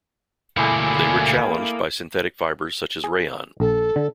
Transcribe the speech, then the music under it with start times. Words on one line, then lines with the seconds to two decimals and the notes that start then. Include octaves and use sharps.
They were challenged by synthetic fibres such as rayon.
0.57 D2 B2 A#3 E4 G#4 A4 D5 G#5
3.04 G#4
3.60 A#1 A4
3.96 D3